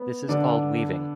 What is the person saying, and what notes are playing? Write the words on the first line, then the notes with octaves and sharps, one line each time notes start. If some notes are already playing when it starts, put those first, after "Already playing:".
This is called Weaving.
Already playing: B3
D3 D4